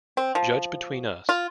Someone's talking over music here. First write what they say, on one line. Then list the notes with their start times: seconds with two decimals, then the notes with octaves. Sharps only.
Judge between us.
0.17 C4
0.35 F3
1.29 F4